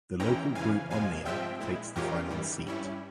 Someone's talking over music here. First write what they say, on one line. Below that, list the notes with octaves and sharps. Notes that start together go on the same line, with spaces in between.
The local group Omnia takes the final seat.
E2 E3 G#3 C#4 E4 G5 A#5
F2 C#3 E3 F5 G#5
F2 C3 F3 G#3 F5 G#5
G2 F3 G#3 C4 F4 E5 G5
A#2 G#3 E4
F2 E3 G#3 C#4 F4 G4 A#4
G#2 E3 G3
G2 G3 C#4 E4